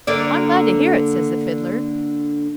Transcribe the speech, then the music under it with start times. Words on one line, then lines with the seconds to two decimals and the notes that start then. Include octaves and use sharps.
"I am glad to hear it," says the Fiddler.
0.07 D3 A#3 D5